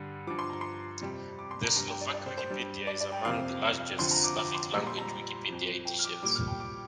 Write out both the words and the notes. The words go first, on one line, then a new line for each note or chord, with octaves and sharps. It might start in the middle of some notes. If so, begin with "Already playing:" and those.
The Slovak Wikipedia is among the largest Slavic-language Wikipedia editions.
Already playing: G2 D3 G3
G2 F3 D6
C6
A#5
C6
F2 C3 G3
D6
C6
A#5
G2 G3 A#5
G5
D5
D5
C5
C5
G2 G3
D5
D5
G5
F2 C3 F3 F5
F2 D3 F3 C6
A#5
D6
D6
C6
A#2 G3 A#5
C6
A#5
F2 F3
G5
F6
D6
A#2 G3 D6
F6
G5
D6